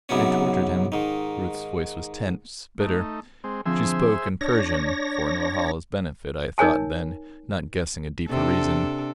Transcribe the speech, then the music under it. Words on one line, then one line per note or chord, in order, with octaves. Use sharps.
"They tortured him," Ruth's voice was tense, bitter; she spoke in Persian--for Norhala's benefit I thought then, not guessing a deeper reason.
G#2 C3 F#3 B3 C#4
G#2 D#3
A3 D#4
G#3 C4
D3 F3 C4 G#4 C5 E5
D4 C#5 A#6
D#4 A#4 C#5 G#5 A5
C3 D4 A4